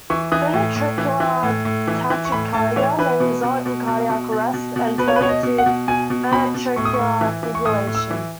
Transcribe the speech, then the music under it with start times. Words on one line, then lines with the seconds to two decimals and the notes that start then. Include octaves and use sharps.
Ventricular tachycardia may result in cardiac arrest and turn into ventricular fibrillation.
0.10 E3 C#6
0.32 E3 D#6
0.54 A2
0.76 A2
0.98 E3
1.20 E3
1.43 A2
1.65 A2
1.87 E3
2.10 E3
2.25 C#6
2.32 A2 B5
2.53 A2 A5
2.76 E3 C#5
2.99 E3 B4
3.20 B2
3.43 B2
3.66 B2
3.87 B2
4.10 B2
4.32 B2
4.54 B2
4.76 B2
4.98 B2 B4
5.08 C#5
5.16 B4
5.21 B2 C#5
5.29 D#5
5.43 B2
5.58 F#5
5.66 B2
5.88 B2 G#5
6.10 B2
6.32 B2 B5
6.55 B2
6.76 A2 C#6
6.85 D#6
6.94 A2 C#6
7.21 E3
7.43 E3
7.55 C#6
7.65 A2 D#6
7.87 A2
7.95 E6
8.10 E3